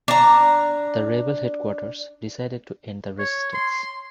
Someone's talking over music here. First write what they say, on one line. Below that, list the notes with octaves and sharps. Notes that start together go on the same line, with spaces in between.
The rebel headquarters decided to end the resistance.
D4 A#5
C#5
C6